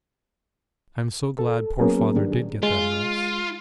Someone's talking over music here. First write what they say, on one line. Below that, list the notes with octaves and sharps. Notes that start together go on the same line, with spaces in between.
I am so glad poor father did get that house.
A4
F#3 A#3 B3 C#4 G#4 A#4
D#3 G3 G#3 D4 G4
G#4
G#3 F4